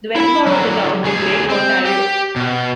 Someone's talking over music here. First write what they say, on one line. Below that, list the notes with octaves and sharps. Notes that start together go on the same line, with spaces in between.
The west border of the town is Lake Ontario.
E4 B5
D3 F#3
D2 G#4
C4
G4
B2